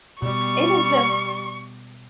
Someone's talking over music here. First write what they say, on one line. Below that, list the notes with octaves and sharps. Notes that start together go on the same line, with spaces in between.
It has been
B2 G3 C#6